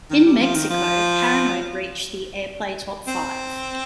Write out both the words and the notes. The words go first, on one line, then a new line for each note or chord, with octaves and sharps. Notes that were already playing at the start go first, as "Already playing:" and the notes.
In Mexico, "...Paranoid" reached the airplay top five.
D#3
G3
F3
D#3
F3
C4